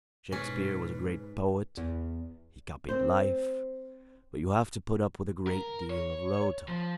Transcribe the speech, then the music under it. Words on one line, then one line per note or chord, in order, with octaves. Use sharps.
"Shakespeare was a great poet; he copied life, but you have to put up with a great deal of low talk."
G#2 B2 C#4 B4
E2
C4 C5
A#4
C#5
F3